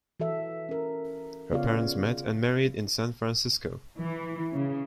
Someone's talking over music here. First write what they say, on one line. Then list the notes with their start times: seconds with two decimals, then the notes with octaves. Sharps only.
Her parents met and married in San Francisco.
0.20 E3 F#4 A4 E5
0.69 C#4 A#4
1.52 C#3 B3 F4 C#5 D5 F5
3.99 E3
4.53 C#3